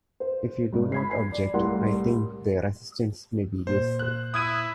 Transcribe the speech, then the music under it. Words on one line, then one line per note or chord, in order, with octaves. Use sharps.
If you do not object I think their assistance may be useful.
C5
G#1
B5 G#6 C7
G#5 B5 C7
D5
C2 A2 A#4 F#5 C6
A#2 C5
F#6
E4 D#6 G#6 D#7